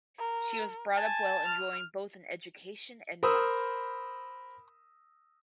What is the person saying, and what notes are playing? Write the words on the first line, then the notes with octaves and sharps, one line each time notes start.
She was brought up well enjoying both an education and money.
A#4
G#5 A5
F6
A#4 C5 B5 D#6 E6